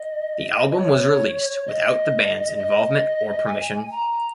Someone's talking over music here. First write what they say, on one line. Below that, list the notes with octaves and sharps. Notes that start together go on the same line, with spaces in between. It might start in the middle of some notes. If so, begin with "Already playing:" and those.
The album was released without the band's involvement or permission.
Already playing: D#5
D#5
C#5
D#5
D#5
G#5
A#5